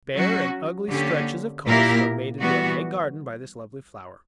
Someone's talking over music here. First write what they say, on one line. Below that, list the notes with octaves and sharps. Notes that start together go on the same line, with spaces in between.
Bare and ugly stretches of coast are made into a gay garden by this lovely flower.
F#3 C#4 F#4
D3 A#3 C#4 G4
A#2 A#3 E4 G4 A#4
E3 G3 B3 F#4